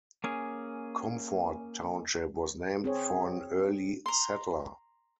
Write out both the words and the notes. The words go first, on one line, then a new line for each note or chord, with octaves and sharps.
Comfort Township was named for an early settler.
A#3 C#4 G#4
C4 G#4 C#5
A#5 C6